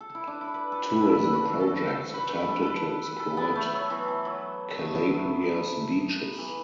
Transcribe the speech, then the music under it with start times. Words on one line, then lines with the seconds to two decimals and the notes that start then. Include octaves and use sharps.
Tourism projects attempted to exploit Calabria's beaches.
0.01 A4
0.15 E4
0.27 D4
0.41 E4
0.54 B4
0.72 A4
0.90 B4
1.07 A4
1.33 F#4
1.60 A4
1.87 A4
2.14 B4
2.30 B4
2.48 A4
2.62 A4 B4
3.20 A4
3.37 B3
3.55 A3
3.73 F#3
3.90 E3
4.08 E3
4.25 F#3
4.79 A3
4.96 B3
5.14 A3
6.38 E3